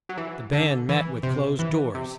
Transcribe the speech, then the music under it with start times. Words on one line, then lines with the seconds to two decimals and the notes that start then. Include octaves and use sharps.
The band met with closed doors.
0.09 F#3
0.17 E3
0.53 D3
0.89 E3
1.23 C3
1.59 E3
1.95 C3